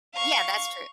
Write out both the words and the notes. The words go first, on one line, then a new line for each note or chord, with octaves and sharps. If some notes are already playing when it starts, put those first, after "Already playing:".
Yeah, that's true.
F5 C#6